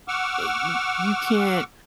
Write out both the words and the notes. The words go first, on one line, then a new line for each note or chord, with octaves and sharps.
eh, y you can't
F#5 C#6 D6 E6 F6